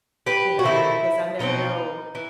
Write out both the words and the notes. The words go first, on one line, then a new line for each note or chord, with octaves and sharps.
you know, because I never know
G4 B4
F#4
C3 D#3 A3 E4
B2 F#3 C4 D#4
E3